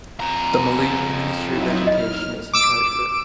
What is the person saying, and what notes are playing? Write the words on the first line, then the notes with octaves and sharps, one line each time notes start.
The Malaysian Ministry of Education is in charge of it.
F2 A#5
F#3 D#4 E4
D#5 F6
D6 E6 D7 E7